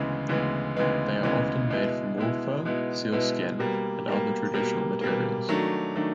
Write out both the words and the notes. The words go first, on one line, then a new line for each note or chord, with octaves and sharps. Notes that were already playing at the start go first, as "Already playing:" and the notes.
They are often made from wolf fur, sealskin and other traditional materials.
Already playing: D2 C#3 E3 G#3 B3
D2 C#3 E3 G#3 B3
D2 C#3 E3 G#3 B3
D2 C#3 E3 G#3 B3
B2 G#3 B3 E4
B2 G#3 B3 E4
B2 G#3 B3 E4
B2 G#3 B3 E4
B2 G3 A#3
B2 G3 A#3
B2 G3 A#3
B2 G3 A#3
D#3 F#3 A3 D4
D#3 F#3 A3 D4